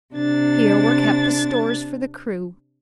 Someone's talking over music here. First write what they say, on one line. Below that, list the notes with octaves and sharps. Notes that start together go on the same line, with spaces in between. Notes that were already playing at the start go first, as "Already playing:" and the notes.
Here were kept the stores for the crew.
C3 D4 A6